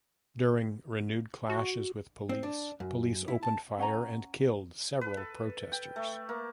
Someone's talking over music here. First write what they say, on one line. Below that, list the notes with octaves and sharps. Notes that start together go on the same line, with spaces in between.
During renewed clashes with police, police opened fire and killed several protesters.
F#4
C4
D4
F#2
E4
A5
C#4 F#5 G#5 A#5
B4
A4
G5
A3
A#3